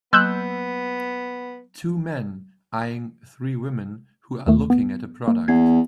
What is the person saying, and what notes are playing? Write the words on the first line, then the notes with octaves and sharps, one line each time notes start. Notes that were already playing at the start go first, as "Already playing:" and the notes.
Two men eeyeing three women who are looking at a product.
F#3 A#3 B3 C6 E6 F#6 G6
D#2 D#3 A3
B3
A#3
E2 G#6 C7